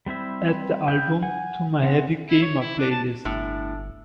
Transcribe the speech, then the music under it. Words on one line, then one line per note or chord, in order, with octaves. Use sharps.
Add the album to my Heavy Gamer playlist.
G3 C4 E4 E5
E4 F5 G5 D#6 G6
F#5 G#5
E3 C4 G#4 F#5
E4
C#5
E4
D4
A5
G1 A2 D4